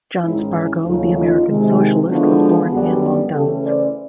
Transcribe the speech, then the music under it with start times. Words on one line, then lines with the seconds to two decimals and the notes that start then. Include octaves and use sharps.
John Spargo, the American socialist, was born in Longdowns.
0.23 G#2 D#3 G#3 C#4 E4
0.55 E4
0.85 D#2 C#3 F#3 A3 D#4 F4
1.17 D#4 F4
1.48 C3 D#3 G#3
2.10 D3 F3 G#3 B3 E4 F#4
2.72 F#2 D3 G3 B3 F#4 G#4
3.35 C#3 E3 A3 C#4 G4 A4
3.66 C5 D5